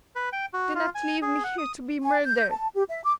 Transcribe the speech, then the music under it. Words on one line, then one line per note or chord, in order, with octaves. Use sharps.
Do not leave me here to be murdered!
B4
G5
F#4
F4
G#5
G#4
F#5
D#6
G#5
G6
A5
G4
E5
D6